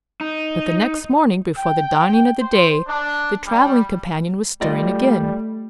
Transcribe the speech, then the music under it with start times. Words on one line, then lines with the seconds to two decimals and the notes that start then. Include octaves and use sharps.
But the next morning, before the dawning of the day, the travelling companion was stirring again.
0.21 D#4
1.57 G5
2.41 C5
2.86 D4
3.47 G3
4.61 G3 A3 F4 D5 D#5